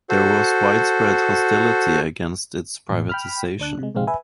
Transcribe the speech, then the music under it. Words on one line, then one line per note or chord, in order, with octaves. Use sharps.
There was widespread hostility against its privatisation.
F#4 A4 C5
A1
G5 B5 F6
D2 D4 F#6
C3 G#3
A#1 G#2 C3 G#3 C4 F5
B4 E5 G#5